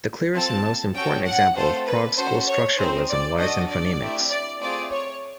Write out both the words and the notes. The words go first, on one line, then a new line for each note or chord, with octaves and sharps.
The clearest and most important example of Prague school structuralism lies in phonemics.
C4 F4 A4 A5
C#4 F#4 A4 G5
F#5
A3 C4 F4 A4 C5
B4
C#4 F#4 A4 C5
C#5
C4 D#4 G#4 C5
D5
D4 F#4 A4 D#5
D5
A3 C4 E4 G4
D5
A3 C4 F4 G#4 D5
C#5